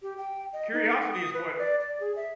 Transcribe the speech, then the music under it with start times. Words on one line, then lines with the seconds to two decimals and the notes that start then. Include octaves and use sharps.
curiosity is what
0.02 G4
0.18 G5
0.53 D#5
0.73 D#4
0.99 F#5
1.12 D#6
1.34 B4
1.59 D5
1.80 D5
2.00 G#4
2.16 E5